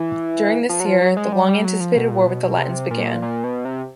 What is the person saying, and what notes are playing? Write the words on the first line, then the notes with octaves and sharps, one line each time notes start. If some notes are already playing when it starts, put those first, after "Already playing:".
During this year, the long anticipated war with the Latins began.
Already playing: E3
F3
F#3
F3
F#3
G#3
G3
G3
F#3
F3
B2
A#2
B2
B2
C3
A#2
A#2
B2
C3